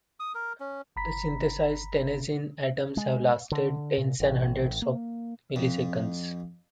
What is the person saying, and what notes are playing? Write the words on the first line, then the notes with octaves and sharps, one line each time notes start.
The synthesized tennessine atoms have lasted tens and hundreds of milliseconds.
D#6
A#4
C#4
G1 A#5 B5 B6
G#3
D3
A#2
A1
A#3
F2